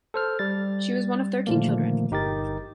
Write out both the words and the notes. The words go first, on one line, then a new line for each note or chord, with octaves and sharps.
She was one of thirteen children.
A4 C5 F6
G3 A6
A#2 D3 D#3 F3 A3 A#3
G1 D#4 G4 A#4 A6